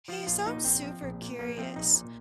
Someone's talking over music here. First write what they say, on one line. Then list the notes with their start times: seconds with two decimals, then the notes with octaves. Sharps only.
Hey, so I'm super curious.
0.08 F3 F4
0.27 A#1 F4
0.46 A#2 D#4
0.64 A#1 C4
0.83 F3
1.02 A#1
1.21 A#2
1.39 A#1 A#3
1.57 F3 C4
1.76 A#1 D#4
1.95 A#2